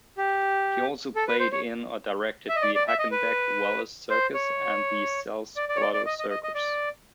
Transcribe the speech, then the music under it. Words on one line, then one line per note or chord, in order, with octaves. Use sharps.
He also played in or directed the Hagenbeck-Wallace Circus and the Sells-Floto Circus.
G4
A4
B4
C5
C#5
E5
D#5
D5
D5
E5
D#5
B4
C5
C#5
D5
D5
C#5
D5
D5
D#5
D#5
D#5
D#5
D5